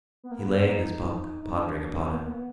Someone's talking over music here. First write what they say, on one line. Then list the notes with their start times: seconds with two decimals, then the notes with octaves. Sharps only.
He lay in his bunk pondering upon it.
0.24 B3
0.31 A#3
0.39 B3
0.67 D#4
1.43 D#4
1.53 D4
1.92 D4
1.96 B3
2.13 A#3
2.27 B3